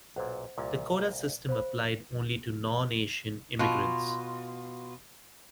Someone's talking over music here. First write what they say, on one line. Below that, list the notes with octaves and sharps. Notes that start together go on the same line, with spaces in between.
The quota system applied only to non-Asian immigrants.
B1 A#2 C5 F#5
C2 A#2 F4 D6
C5 F5 B5
B2 F4